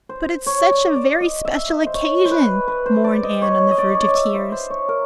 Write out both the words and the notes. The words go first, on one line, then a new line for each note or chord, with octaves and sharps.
"But it's such a very special occasion," mourned Anne, on the verge of tears.
C5
C#5
D5
D5
D#5
E5
D#5
C5
C#5
C5
B4
B4
C5
D5
D#5
C#5
D#5
D5
C#5
D5
D#5
E5
C5
C5
C#5
A#4